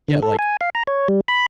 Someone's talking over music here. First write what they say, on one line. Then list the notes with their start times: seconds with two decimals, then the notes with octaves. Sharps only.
yeah, like,
0.08 D3
0.23 A4
0.39 G#5
0.61 F5
0.75 A#5
0.87 C#5
1.08 G3
1.28 B5